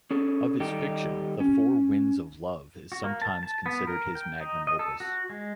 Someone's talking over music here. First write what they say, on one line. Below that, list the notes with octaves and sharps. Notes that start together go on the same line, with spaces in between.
Of his fiction, "The Four Winds of Love" is sometimes considered his "magnum opus".
C#4 G#4 A4
D#3 G3 D#4 G4 A4
C#4
F#4
A#3
A5
A5
B3
A#4
G5
D#4
D#5
A4
F#4
G#3